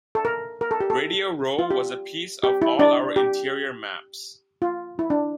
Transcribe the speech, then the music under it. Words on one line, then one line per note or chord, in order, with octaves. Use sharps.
Radio Row was a piece of all our interior maps.
A4
A#4
A#4
A4
G4
A4
F4
G4
G4
E4
D4 D5
G4
F4
E4
D4